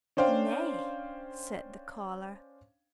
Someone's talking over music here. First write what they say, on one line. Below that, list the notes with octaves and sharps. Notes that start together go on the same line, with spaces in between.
"Nay!" said the collar.
C#4 D4 C5 F5 G5